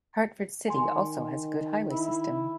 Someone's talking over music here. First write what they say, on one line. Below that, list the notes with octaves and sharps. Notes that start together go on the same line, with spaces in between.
Hartford City also has a good highway system.
D#3 G#5 C6
E4